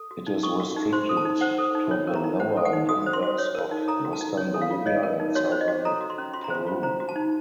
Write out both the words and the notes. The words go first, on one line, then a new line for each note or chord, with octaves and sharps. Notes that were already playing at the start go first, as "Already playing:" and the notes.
It is restricted to the lower Yungas of western Bolivia and southern Peru.
Already playing: A4
F#4
D#4
A4 C#6
F#4
D#4
C5 C6
A4
A5
D#4
C5 F#5
A4
D#4
C#5
A#4
A#5
D#4
C5 F#5
A4
F#5
D#4
F#4 D#6
C5
C6
F#4
C#5
A#4
D#4
A4 A#5
F#4
A5
D#4
C#5
A4
F5
F4
C#5 D#5
A#4
D#4
F#4 C#5
C5
D#5
F#4
A4 A#5
F#4
C6
C#4
F4 C6
A#5
C5 C6
F4
C5 A#5
F#4
A5
D#4